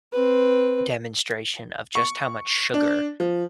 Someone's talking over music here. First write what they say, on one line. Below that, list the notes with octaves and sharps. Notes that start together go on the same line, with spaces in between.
demonstration of just how much sugar
C4 B4
C#6
D4
F3